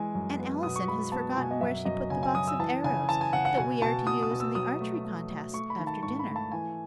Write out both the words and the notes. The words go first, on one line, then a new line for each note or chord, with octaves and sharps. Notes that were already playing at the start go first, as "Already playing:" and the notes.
Aunt Allison has forgotten where she put the box of arrows that we are to use in the archery contest after dinner.
Already playing: E3 G#3 G#5
F#2
B3
B2 D#6
C#6
G#3 B5
B3 A5
B2 G#5
D#5
F#2 E5
F#2 D#5
C#3 G#5
G#5
F#3 D#6
E6
E3 A5
C#3 G#5
E3 A5
G#5
C#3 F#5
F#5
B2 G#5
B2 A5
B2 D#6
D#6
B2
E6
F#3 D#6
A3
A3
A3
A3 C#6
B5
D#3
A5
G#2 C#6
B5
A3
A5
E3 G#5